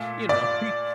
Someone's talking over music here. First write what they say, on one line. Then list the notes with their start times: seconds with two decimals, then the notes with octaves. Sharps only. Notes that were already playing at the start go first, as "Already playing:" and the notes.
you know, he
Already playing: A#2 A3
0.29 D5